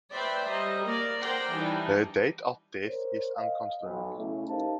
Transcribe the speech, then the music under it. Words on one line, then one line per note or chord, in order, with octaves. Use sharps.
Her date of death is unconfirmed.
B4 C5 D5 E5 G5
G3 C5 D#5 A#5
A#3 A#4 D5
A#4 C5 D5 F#5 G5 A#5
E3 G3 D4 D#4
A#4 C5 C#5
D#5 F5
B1
C#3 A3 C#4 E4
D#4 G4 A#4 C5 F5 A5